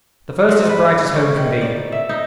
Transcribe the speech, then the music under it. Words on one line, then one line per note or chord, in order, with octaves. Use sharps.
The first is bright as home can be.
G#2
B4
C#4
D#3
D5
E5
D#4